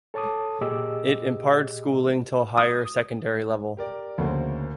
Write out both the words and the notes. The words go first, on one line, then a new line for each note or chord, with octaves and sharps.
It imparts schooling till Higher Secondary level.
A4 C#5 A5 D6 D#6
A#2 G4 G#4 D#5 D6 E6
D#6
G4 A#4 D5
D2 C#3 A#3 C5